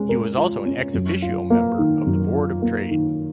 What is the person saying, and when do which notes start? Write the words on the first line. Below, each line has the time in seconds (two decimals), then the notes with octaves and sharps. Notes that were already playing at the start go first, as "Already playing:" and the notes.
He was also an "ex officio" member of the board of trade.
Already playing: G#3 C#4
0.09 A#4
0.37 F4
0.66 C#4
0.94 F#2
1.22 F4
1.50 A#3
1.78 D#3
2.06 F#2
2.35 F4
2.62 A#3
2.91 D#3